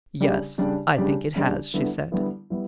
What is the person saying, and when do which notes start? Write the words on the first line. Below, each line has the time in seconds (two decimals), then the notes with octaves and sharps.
"Yes, I think it has," she said.
0.20 C#3 G3 D4 G4 D5
0.58 C#3 G3 D4 G4 D5
0.97 C#3 G3 D4 G4 D5
1.36 C#3 G3 D4 G4 D5
1.74 D3 G3 B3 E4
2.12 D3 G3 B3 E4
2.50 G3 B3 E4